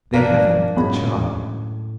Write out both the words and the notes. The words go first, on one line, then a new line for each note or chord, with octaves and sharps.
They haven't the charm.
G2 F3 A#3 D4
F#2 A2 G#3 B5